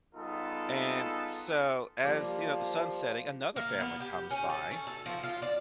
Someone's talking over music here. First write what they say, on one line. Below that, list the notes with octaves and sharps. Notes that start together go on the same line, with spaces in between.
And so, as, you know, the sun's setting, another family comes by
G3 B3 D#4 F4 G#4 A4
F3 G3 A#3
A#3
B3
G4
C#4
A4
C#4
A4
F3
F4
D5